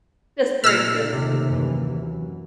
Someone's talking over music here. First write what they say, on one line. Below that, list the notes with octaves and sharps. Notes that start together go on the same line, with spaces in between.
Just for existing.
A#2 C#3 A3 D#4 E6 F6
D#2 C3
F#2 E3